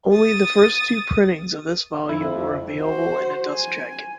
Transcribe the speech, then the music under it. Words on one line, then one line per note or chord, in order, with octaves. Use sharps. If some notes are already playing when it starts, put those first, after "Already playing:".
Only the first two printings of this volume were available in a dust jacket.
D#6 A6
F2 E4
F#4 C5
G#5